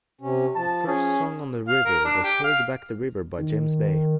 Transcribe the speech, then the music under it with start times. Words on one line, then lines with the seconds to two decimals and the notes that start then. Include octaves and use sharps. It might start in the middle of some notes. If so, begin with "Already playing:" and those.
The first song on "The River" was "Hold Back the River" by James Bay.
0.21 C3 C#4
0.55 F3 A5
0.87 C#4 G#4
1.68 F5
1.85 A#4
2.05 D4
2.24 G4
2.44 F5
3.38 D#3